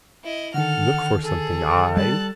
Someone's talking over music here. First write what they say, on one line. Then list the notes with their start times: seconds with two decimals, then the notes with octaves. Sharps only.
Look for something I.
0.24 E4 D#5
0.54 D3 D#3 A4 F#5 F6
1.23 G#4 A4
1.97 G3 A5 F#6